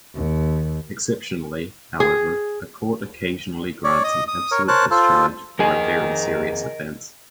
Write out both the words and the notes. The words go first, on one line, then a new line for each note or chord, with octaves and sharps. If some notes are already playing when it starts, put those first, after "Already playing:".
Exceptionally, however, a court occasionally grants an absolute discharge for a very serious offence.
D#2
G#4
C#5 D5
D#5 D#6
D#6
A#4 C#5
A#4 C5 C#5 A5 F#6
F4 A4 C5
F2 G#4 A#4 D#5